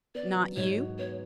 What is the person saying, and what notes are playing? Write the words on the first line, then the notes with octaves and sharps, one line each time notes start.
"Not you?"
B3 D5
F#3
G#2 C#5
F#4
B3 C#5